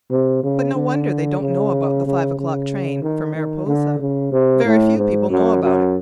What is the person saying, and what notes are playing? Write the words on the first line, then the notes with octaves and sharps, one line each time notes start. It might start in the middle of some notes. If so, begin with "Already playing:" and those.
But no wonder they don't know about the five o'clock train for Mariposa. Very few people know about it.
C3
C#3
D3
C#3
C#3
C#3
D#3
D#3
D3
C#3
C3
A2
G#2
F#2
F#2